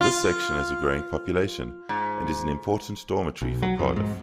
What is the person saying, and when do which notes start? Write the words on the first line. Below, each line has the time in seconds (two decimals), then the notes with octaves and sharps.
This section has a growing population and is an important 'dormitory' for Cardiff.
0.01 F4
1.89 G#2
3.42 B1
3.63 F#3
3.79 F2
3.96 G#2